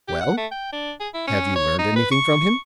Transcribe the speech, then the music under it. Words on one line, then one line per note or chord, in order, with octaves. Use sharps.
"Well, have you learned anything from him?"
G4
F#5
A3
G5
D4
G#4
E4
C#4
C#5
D#4
B4
C#6